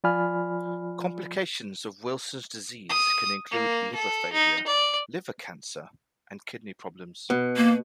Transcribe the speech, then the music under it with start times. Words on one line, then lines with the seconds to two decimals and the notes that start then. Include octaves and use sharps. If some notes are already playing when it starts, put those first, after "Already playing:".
Complications of Wilson's disease can include liver failure, liver cancer, and kidney problems.
0.04 F3 F4 D5 G#5 B5 F6
2.89 D#6
3.51 A#3
3.95 A4
4.33 D#4
4.67 D5
7.30 B2
7.56 A#3